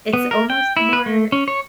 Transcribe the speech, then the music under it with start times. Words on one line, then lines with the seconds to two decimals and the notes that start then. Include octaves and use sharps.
it's almost more
0.13 B3
0.31 A#4
0.50 G5
0.77 E4
0.93 B4
1.06 A3
1.32 C#4
1.48 C#5